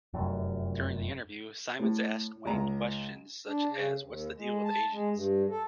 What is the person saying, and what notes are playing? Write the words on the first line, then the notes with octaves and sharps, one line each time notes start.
During the interview, Symons asked Wang questions such as What's the deal with Asians?
F1 F#2
A2
C#2 A#5
D4
C#3
D#2
G#3
A5
G#3
G2
A4